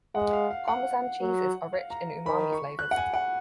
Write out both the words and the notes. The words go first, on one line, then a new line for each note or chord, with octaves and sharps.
Parmesan cheeses are rich in umami flavors.
G#3 F#5
F5
F5
F#5
F#3
F5
A#5
D#3 B5
C#6
F#6
F#5
G#5
F#5